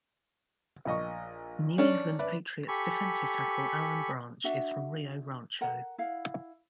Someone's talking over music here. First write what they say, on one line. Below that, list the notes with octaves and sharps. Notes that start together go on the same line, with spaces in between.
New England Patriots defensive tackle Alan Branch is from Rio Rancho.
A#1 D#5 C#6
C#4 D4
B4 D5 E5
G4 A4 G#5 B5 C#6
D4 F#4 E5 F#5
A#4 F#5
E4 F5 F#5